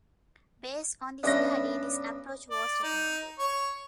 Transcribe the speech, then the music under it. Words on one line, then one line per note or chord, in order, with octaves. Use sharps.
Based on the study, this approach was recommended.
G2 B3 C#4 D4 E5 A#6
D5
D#4
C#5